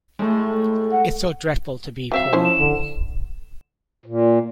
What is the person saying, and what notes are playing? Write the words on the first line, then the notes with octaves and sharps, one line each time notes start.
It's so dreadful to be poor!
A2 G#3 A3
F#5
F#3 C4 E5 F5
F3 C#4 E4 C5
E7
D3
A#2